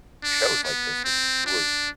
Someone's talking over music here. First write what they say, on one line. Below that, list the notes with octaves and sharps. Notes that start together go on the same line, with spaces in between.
shows like this or these tours."
D4
B3
C4
D4